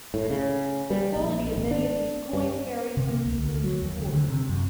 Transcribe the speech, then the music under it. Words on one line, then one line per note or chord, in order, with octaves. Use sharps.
The quality of many of these coins varied from decent to poor.
A2
C#3
G3
A#1
G#1
D4
G2
C3
A#3
C#2
D2
F#3
D#2
D2
D3
C3
F#2